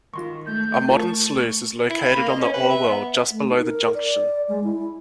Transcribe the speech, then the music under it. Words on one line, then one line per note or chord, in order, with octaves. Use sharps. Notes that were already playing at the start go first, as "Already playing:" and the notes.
A modern sluice is located on the Orwell just below the junction.
D#3 F4 C6 C#6
A3 G6
F4 A#4 A5 C#6
E4
B5
A#3
D#5
C#4
B4
E5
B3
A3
D#4
A#4
D5
G#3
E4